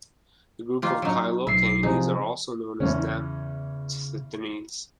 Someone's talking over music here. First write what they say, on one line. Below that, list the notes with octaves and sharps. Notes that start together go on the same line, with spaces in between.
The group of cycloalkanes are also known as naphthenes.
D#4 F4 G4
F#3 D#4
B1 E5 C7
C3 F3 D#4 G#4
E2 C#3 C#4